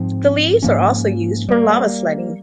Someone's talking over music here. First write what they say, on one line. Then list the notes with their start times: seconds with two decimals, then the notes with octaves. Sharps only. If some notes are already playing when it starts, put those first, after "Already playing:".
The leaves are also used for lava sledding.
Already playing: G#2 F3 C4
0.63 G#2 F3 A#3 C#4
1.49 G3 A#3